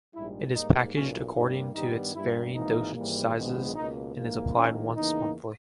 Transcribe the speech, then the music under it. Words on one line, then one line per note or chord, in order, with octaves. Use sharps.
It is packaged according to its varying dosage sizes, and is applied once monthly.
A#1 G#2 G3 E4
G#2 G3 A#3 D#4
B1 A#2 A#3 C#4
G2 G3 A#3 D#4
G2 D#3 G3 B3 D#4
G2 G3 A#3 E4
G#1 G#2 E3 A#3 D#4
G#1 G#2 E3 G3 A#3
A#1 G#2 D#3 G#3 B3
C#2 B2 A#3 D#4
A#1 G#2 E3 A#3
A#1 G#2 D#3 A#3 C#4
E2 C#3 E3 A#3 D#4